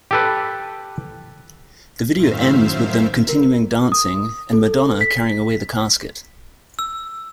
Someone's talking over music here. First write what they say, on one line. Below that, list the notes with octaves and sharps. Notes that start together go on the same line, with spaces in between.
The video ends with them continuing dancing and Madonna carrying away the casket.
G4 A4 B4
F#2 A2 D#3 C5 E5 F5
A#4
D#6
A4
B6
E6